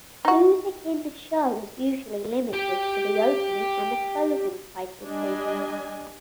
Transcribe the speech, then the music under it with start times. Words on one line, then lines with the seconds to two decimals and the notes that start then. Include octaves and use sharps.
Music in the show is usually limited to the opening and closing title theme.
0.25 D#4 F#4
2.53 G4 G5
5.07 G3 D4 D#5 G#5